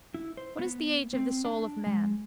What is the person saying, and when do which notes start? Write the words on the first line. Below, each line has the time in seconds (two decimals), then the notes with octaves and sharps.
What is the age of the soul of man?
0.14 E4
0.37 C5
0.59 B3
1.14 C4
1.45 D4
1.87 G#3